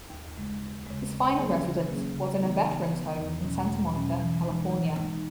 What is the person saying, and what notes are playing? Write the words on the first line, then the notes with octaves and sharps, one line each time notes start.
His final residence was in a veterans home in Santa Monica, California.
D#2
C#3 G#3
D#2
C#3 G#3
C#3
F#3 A#3 C#4 G#4
C#3
F#3 A#3 C#4 G#4
C#3
E3 B3 D#4
C#3
E3 B3 D#4
E2
B2 F#3 C#4
E2
B2 F#3 C#4
E3
G#3 D#4
E3
G#3 D#4